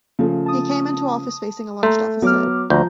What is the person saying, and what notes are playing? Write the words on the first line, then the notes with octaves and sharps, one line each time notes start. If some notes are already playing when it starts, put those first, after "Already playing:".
He came into office facing a large deficit.
C#3 F3 A3
A5 D#6
A3 A#5 C6
F#3 B3 D6 F6
D2 F3 A#5 G6